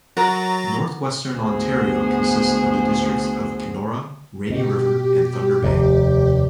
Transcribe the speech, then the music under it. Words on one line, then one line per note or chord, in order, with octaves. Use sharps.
Northwestern Ontario consists of the districts of Kenora, Rainy River and Thunder Bay.
F#3 F#4 A#4 A#5 A6
D2 B3 G#4 C5
B2 G4
F1 D#2